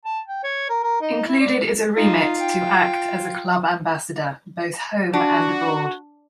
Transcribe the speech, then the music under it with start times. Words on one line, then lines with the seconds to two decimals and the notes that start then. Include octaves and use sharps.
Included is a remit to act as a club ambassador, both home and abroad.
0.05 A5
0.28 G5
0.44 C#5
0.70 A#4
0.84 A#4
1.02 D#4
1.27 E4
1.40 D5
1.96 D#4 F4
2.39 G5
5.13 D4 F#4